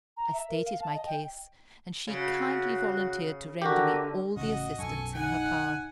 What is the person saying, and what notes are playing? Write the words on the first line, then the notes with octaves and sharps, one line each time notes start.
I stated my case, and she kindly volunteered to render me all the assistance in her power.
A#5
E5
A#4
F5
A5
D#5
G5
C#3 F#4
D3 F#4 G4 A#4
A1 C#3 F#4 D#5
B1 F#2 A4 G#5 C#6
D#4 F#5 G#5